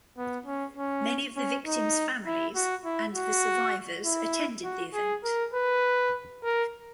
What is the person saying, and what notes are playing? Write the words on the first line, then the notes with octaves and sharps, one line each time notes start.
Many of the victims' families and the survivors attended the event.
B3
C#4
C#4
C#4
D#4
E4
F#4
E4
F#4
E4
F#4
G#4
A#4
B4
A#4